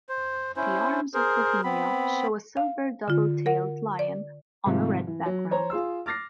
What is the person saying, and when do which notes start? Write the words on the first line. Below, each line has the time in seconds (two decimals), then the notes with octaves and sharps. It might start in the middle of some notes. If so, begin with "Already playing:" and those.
The arms of Bohemia show a silver double-tailed lion on a red background.
0.09 C5
0.57 C#4 E4 C5
1.14 G#4 A#4 C5
1.64 B3 C4 B5
2.57 F5
3.08 D3 F4
3.46 A#4 F#5
3.99 D5
4.66 G#2 C3 D#3 F3 G3 F4
5.07 E3
5.26 F#3
5.51 C5 C#5 A#5
5.70 F4 G#4 C6 E6
6.06 D6 F6 A6 A#6 C7